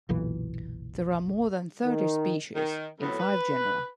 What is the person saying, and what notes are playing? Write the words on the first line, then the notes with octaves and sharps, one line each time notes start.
There are more than thirty species in five genera.
F#1 B1 A#2 E3
D#3
D#3
F2 A2 F#3 B3
B4